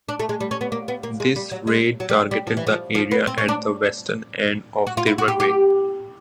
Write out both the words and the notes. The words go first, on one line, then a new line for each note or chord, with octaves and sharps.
This raid targeted the area at the western end of the runway.
D4
A3
G#3
G3
C#4
B3
A#3
B3
A#3
G#3
G3
F#3
G#3
F#3
G3
G3
F3
E3
F3
F3
B3
C4
C#4
D4
F#4
F4
E4
F#4
G4
G4